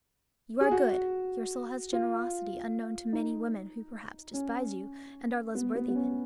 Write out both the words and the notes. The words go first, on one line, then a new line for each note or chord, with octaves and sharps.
You are good, your soul has generosity unknown to many women who perhaps despise you, and are less worthy than you.
G#4
F#4
F4
D#4
C#4
B3
B3
B3
C#4